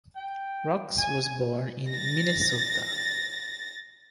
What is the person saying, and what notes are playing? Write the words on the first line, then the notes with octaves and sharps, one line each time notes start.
Roux was born in Minnesota.
G5
G#5
A6 A#6